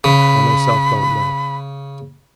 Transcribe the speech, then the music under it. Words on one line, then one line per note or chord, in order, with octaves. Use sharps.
I myself don't know.
C#3 B5